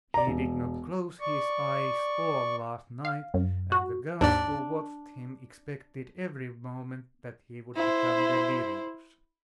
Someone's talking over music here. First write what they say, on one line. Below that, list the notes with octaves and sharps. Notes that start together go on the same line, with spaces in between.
He did not close his eyes all last night, and the guards who watched him expected every moment that he would become delirious.
D5 A#5
E1
D5 C#6
F5
F#2
F#4
D#2 G#2 D4 D5
E4 C5